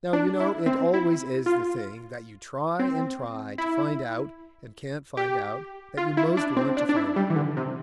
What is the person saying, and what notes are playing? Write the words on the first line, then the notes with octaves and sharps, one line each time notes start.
Now you know it always is the thing that you try and try to find out and can't find out that you most want to find out.
D4
E4
C4
E4
F4
C4
E4
G4
F4
E4
D4
C4
D4
D4
E4
G3
E3
D3
C3